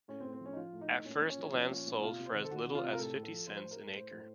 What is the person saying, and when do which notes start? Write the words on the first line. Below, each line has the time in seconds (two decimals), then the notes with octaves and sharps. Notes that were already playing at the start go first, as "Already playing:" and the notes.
At first the land sold for as little as fifty cents an acre.
0.08 A2 C#4
0.20 C4
0.25 A2
0.33 C4
0.40 F3
0.46 C#4
0.53 D#4
0.57 F3 F4
0.73 A2
0.81 D#4
0.89 A2
1.05 A#2 C#4
1.21 A#2
1.30 C#4
1.38 F3
1.54 F3 C#4
1.70 A#2
1.86 A#2
2.02 C3 F4
2.18 C3
2.26 C5
2.34 D#3
2.45 A4
2.51 D#3 F#4
2.66 C3
2.75 F4
2.83 C3
2.93 A#4
2.99 A2 A4
3.15 A2
3.23 A4
3.31 F3
3.47 F3 C5
3.64 A2
3.71 A#4
3.79 A2
3.96 A2 C5
4.11 A2